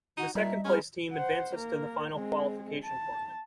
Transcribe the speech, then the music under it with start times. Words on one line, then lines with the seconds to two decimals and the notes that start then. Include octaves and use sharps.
The second place team advances to the Final Qualification Tournament.
0.17 D#4 F#4
0.35 A#2 G3 D#4 E5
0.65 G#3 B3 C#4 G#4 F6
1.12 C5 F#5
1.55 A#3 A#4
2.13 G#3 C4
2.85 A5